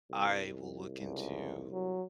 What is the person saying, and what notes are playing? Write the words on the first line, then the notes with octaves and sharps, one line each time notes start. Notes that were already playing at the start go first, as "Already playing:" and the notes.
I will look into
C2
C#2
F#3